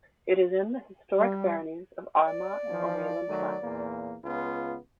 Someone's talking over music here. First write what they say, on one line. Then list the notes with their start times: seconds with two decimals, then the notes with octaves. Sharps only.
It is in the historic baronies of Armagh and Oneilland West.
1.19 G3
2.26 D5
2.71 E3 F3
3.28 D#3 F#3 A3
3.62 E2 A#2 A#3
4.24 C#2 B3 F4